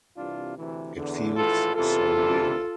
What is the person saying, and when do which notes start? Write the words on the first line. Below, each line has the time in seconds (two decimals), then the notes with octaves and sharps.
It feels so real!
0.17 C2 C3 E3 D4 F4
0.57 D2 C3 E3
0.96 E2 D3
1.35 A#1 A2 E3 F4 A4
1.74 E2 C3 E3 F4 A4
2.15 D2 C3 E3